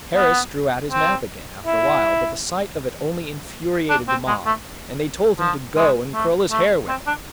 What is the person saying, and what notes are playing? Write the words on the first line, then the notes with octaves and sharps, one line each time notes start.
Harris drew out his map again, after a while, but the sight of it only infuriated the mob, and they told him to go and curl his hair with it.
B3
C4
E4
D4
C4
G#3
A3
F3
G#3
A3
A3
C4
D4